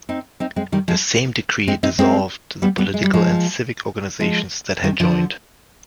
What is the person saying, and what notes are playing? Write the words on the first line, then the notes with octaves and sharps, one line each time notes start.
The same Decree dissolved the political and civic organizations that had joined.
C4 D#4
C4 D#4
G#3 C4
D#3 G3
F3 G#3
G#3 C4
C4 D#4
G#3 C4
G3 B3
G3 B3
G#3
G3
F3 G#3
F3 G#3
D#3 G3
D3 F3